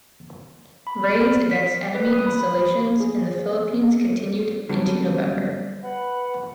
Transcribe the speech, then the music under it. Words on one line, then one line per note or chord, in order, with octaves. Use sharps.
Raids against enemy installations in the Philippines continued into November.
B5
F6
B6
B4
D#6
B5
G#4
D3 F#3 G3 B3 C#4 D4
B4 F#5